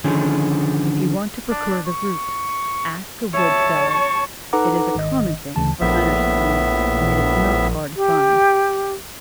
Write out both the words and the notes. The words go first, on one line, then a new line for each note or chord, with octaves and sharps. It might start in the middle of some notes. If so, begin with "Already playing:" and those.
If you want to procure the root ask a wood-seller; it is a common thing for hunters to need, and it is not hard to find.
D3 D#3 F3 C#4 G#4
D4
C#6
C#5 E5 A5
C#6
D#4 A4 B4 F#5 A#5 D6
G#1 D#3 D#5
D2 C#3 E3 A5
A#1 A2 B3 E5
G4